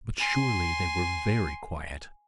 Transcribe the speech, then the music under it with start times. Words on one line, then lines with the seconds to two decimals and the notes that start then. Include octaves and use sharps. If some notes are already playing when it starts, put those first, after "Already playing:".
But surely they were very quiet!
0.20 G#5 C6